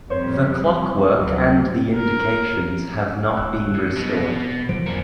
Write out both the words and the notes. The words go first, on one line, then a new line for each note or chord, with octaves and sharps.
The clockwork and the indications have not been restored.
F2 G3 C5 C#5
D2 E3 F#3
A#4
D#1 E6 F#6
G2 C3
B2
E3 F#3 A#3 C5 D7
F2 A#3 D4 C#7